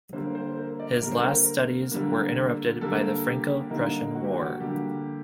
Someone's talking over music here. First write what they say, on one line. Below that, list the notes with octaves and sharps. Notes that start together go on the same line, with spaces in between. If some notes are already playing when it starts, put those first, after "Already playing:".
His last studies were interrupted by the Franco-Prussian War.
D3 G3 A#3 C5
C5
A#4
D5
D3 G3 A#3 A#4
C5
A#4
D3 G3 A#3
D3 G3 A#3 A4
G4
D3 G3 A#3 D#4
F#4
G4
F#4
D3 G3 A#3 G4